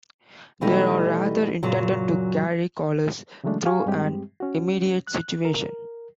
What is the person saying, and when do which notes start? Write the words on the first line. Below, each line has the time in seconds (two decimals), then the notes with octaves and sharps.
They are rather intended to carry callers through an immediate situation.
0.61 B2 E3 G3 A3 D#4
1.63 F#2 A#2 C#3 F#3
3.44 C#3 E3 F#3 G#3 A3 D4
3.65 G4 F5 G#5 C#6
3.86 G2 G3 G#3 C4 G4
4.40 C#4 F#4
5.07 F#6
5.45 A#4